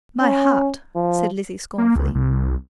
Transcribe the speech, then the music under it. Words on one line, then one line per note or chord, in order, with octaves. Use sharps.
"My heart!" said Lizzie scornfully.
C#4
F3
A#3
C#2
C2